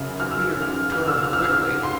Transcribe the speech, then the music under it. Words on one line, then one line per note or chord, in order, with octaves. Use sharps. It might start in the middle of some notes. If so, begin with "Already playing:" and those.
Peter turned quickly.
Already playing: F#2 C#3 F6
F6
E6
F6
F6
E6
F6
F6
E6
F6
C6